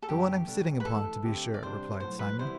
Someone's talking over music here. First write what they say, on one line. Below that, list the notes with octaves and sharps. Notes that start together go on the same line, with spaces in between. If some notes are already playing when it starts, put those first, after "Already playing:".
'The one I'm sitting upon, to be sure,' replied Simon.
A4
F#2 D3 F#3 B3 G4
B2 G3 D4 A4
B4
E3 A3 E4 A4
D3 A3 C4 G4
D5
C3 G3 D4 C5
B1 A2 F#3 C5
B4
C3 E3 G3 B3 E4 C5